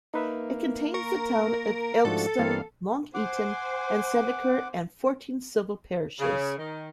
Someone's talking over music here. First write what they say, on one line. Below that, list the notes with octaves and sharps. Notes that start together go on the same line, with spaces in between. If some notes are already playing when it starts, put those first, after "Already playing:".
It contains the towns of Ilkeston, Long Eaton and Sandiacre and fourteen civil parishes.
A#3 D#4 B4 E5
A#4 C#6
G#2 F3 A3 D4 F#4 A4
G2 E3 A#3 C4 F5
C5 F#5 G#5 D6
C#3
D#3